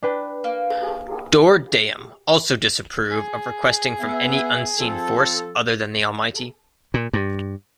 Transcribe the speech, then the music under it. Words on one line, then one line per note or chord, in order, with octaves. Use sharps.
Dor Daim also disapprove of requesting from any unseen force other than the Almighty.
D4 B4 G5
A#3
G#4
B3 E5
F3 C4 A4
A#2
G2